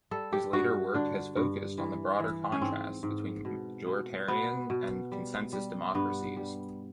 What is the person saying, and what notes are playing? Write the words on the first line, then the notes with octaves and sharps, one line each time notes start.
His later work has focused on the broader contrasts between majoritarian and "consensus" democracies.
G3 A4
G4
G2 F#4
D3 D4
G2
E3
E3
C#4
G#2 C4
G#2
B2
B2
B2 B3
B2
G3
G3
G2 B3
G3